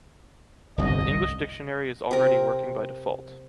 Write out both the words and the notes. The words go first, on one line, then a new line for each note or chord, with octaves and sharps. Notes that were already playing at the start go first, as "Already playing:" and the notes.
The English dictionary is already working by default.
G1 C2 F2 D#5
C3 A#4